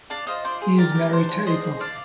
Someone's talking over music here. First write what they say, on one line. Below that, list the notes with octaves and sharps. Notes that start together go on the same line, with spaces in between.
He is married to Apryl.
D4 D5 F5
F4 C5 D#5
D4 C5
G#4
G4 A#4 D5
G4
D4 C5
D4
G#4 C5 D#5
G#4
D4 D5 F5